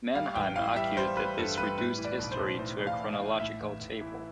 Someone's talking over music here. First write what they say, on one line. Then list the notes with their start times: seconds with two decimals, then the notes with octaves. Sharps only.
Mannheim argued that this reduced history to "a chronological table".
0.15 G3 F5
0.35 A1 G5
0.56 E3 F5
0.76 G3 E5
0.96 G3 C5
1.17 G3 B4
1.38 G2 A4
1.57 G3 B4
1.78 A2 B4
1.98 E3
2.05 D5
2.19 B1
2.32 C5
2.39 B1
2.59 A2 C5
2.79 E3
2.87 F5
3.00 A2
3.13 F5
3.20 A2
3.40 A2 E5
3.61 A1
3.81 A1
4.01 E3